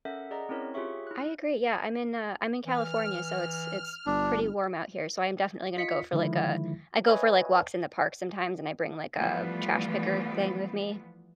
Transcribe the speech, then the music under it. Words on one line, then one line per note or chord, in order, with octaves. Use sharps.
I agree, yeah, I'm in, uh I'm in California, so it's it's pretty warm out here. So I am definitely gonna go for, like a I go for, like, walks in the park sometimes and I bring like a trash picker thing with me.
C#4 A4 A#4 E5 F#5
G#4 D5 D#5 F#5 A#5
C4 C#4 E4 A#4 C#5
F4 G4 G#4 C#5 E5 C#6
E4 F#6
E3 F6
G1 D4
F4 D#5 B6 C#7
D3 D#3 F3 G#3 E4
B4 C#5 D#5 E5 G#5
E3 F3 G3 A3 B3 F4